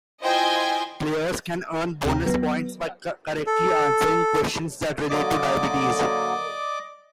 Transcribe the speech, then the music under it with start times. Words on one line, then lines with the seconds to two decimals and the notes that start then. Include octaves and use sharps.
Players can earn bonus points by correctly answering questions that relate to diabetes.
0.23 E4 F4 C5 D#5 G5 G#5
2.05 D2 C3 G5 A#5
2.26 F#3 B3
3.47 A4
5.10 D3 F#3 A#3 D5 D#5 D6